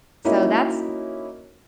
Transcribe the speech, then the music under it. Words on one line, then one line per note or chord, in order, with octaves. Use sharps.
so that's
A#3 C#4 D#4 E4 F#4